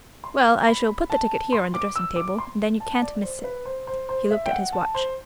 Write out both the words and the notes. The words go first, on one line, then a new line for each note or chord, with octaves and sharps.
"Well, I shall put the ticket here on the dressing-table, and then you can't miss it." He looked at his watch.
C6
B5
A5
C6
D6
E6
D6
C6
A5
D5
D5
C5
B4
C5
C5
C5
E5
G5
F#5
A5
C5